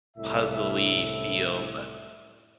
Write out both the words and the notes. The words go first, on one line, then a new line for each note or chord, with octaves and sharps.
puzzle-y feel but,
C2 A2 E5